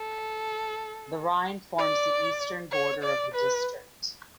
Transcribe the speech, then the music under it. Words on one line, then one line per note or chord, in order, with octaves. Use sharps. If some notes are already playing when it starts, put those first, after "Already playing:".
The Rhine forms the eastern border of the district.
Already playing: A4
D5
C#5
D5
B4